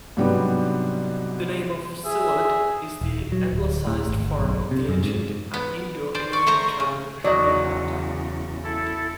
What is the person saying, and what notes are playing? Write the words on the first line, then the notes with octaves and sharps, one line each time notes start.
The name of "Sylhet" is the anglicized form of the ancient Indo-Aryan term "Srihatta".
G#2 C3 F#3 G3 B3 D4
G#4 E5
D#1
F#3
D1
A2
G#1
G1
B1
C3
F#2
G#2
B3
C5 D5
D5 C#6
A3 C5 A#5
C#3
E2 C#3 F#3 D5 D#5
E4 A4